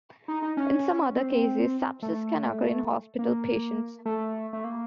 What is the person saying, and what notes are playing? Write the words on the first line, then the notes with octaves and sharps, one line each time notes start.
In some other cases, sepsis can occur in hospital patients.
D#4
D#4
C#4
C4
A3
A#3
A3
A3
A#3